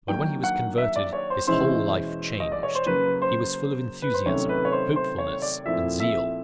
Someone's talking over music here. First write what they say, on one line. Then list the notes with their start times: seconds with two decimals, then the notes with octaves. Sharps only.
But when he was converted his whole life changed: he was full of enthusiasm, hopefulness and zeal.
0.08 D#3 F#3 A#3 D4 G5
0.44 F#5
0.78 E5
0.96 D5
1.13 C#5
1.30 C5
1.47 E2 B2 G#3 C#4 E4 C5
2.40 D#5
2.52 D5
2.63 C#5
2.75 C5
2.86 C#3 F#3 A#3 B4
3.22 C5
4.02 B4
4.14 C5
4.26 C3 D#3 F#3 A3 C#4 C#5
4.49 B4
4.65 C#5
4.72 C5
4.96 C5
5.18 C#5
5.42 D5
5.66 A#2 F3 A3 C4 E4 E5
6.00 E5